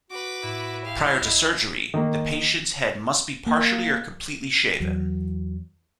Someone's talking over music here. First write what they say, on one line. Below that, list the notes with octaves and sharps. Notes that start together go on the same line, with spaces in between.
Prior to surgery, the patient's head must be partially or completely shaven.
F#4 B4 D6
A2 E4
G4 F5
C#2 D#5
D#3 A#3
A#3
E2 E3 F#3